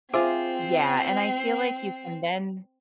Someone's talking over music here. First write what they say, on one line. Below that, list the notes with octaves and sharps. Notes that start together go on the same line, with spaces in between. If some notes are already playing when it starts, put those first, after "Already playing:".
Yeah, and I feel like you can then
C4 F4 G#4 C5 E5 D6